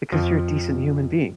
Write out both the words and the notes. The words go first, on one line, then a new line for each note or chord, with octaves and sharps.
Because you're a decent human being.
F2 F3